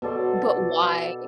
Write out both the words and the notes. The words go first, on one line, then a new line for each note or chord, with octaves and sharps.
But, why?
B2 A4 D5 C6